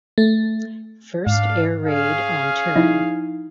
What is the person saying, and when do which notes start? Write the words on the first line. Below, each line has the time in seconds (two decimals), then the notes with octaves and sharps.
First air raid on Turin.
0.18 A3
1.27 G#2 D4 F5
1.85 C#4 G#4 F5
2.76 F3 D#4 E4